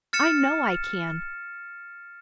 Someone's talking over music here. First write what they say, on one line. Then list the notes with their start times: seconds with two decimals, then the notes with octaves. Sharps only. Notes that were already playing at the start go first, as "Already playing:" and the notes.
I know I can.
0.13 F6 A6 C#7 E7